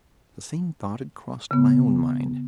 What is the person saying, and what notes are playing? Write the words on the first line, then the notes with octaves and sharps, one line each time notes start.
The same thought had crossed my own mind.
C#3 B3